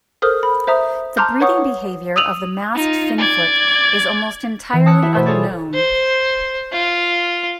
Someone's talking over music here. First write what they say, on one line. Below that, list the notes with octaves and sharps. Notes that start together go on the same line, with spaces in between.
The breeding behaviour of the masked finfoot is almost entirely unknown.
A4 A#4 C5 D#6 F6
B5
C5 E5 A#5 D#6
A5 A#5 C6 D6 F6 G6
B4 C#5 F#5 C#6 D#6
D#6 E6 D#7 F7 F#7
D#4 F4
D5 G#6
E3
A5 D#6 E6 F#6 C#7
E4 G4 E5
B2 B4 C5 E5
F4 G#4 A4 C#5 D5
C5
F4